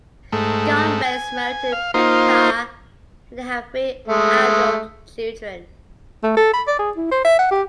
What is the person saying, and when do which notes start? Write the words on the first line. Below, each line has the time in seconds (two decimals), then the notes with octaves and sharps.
Gumbel is married to Pippa and they have three adult children.
0.32 G#2 A3
1.05 G#5
1.72 F5
1.94 A#3 D#4 F4 C5
4.08 G#3 A3
6.23 A3
6.37 A4
6.54 B5
6.67 D5
6.79 G#4
6.97 E4
7.11 C5
7.25 E5
7.39 F#5
7.51 G4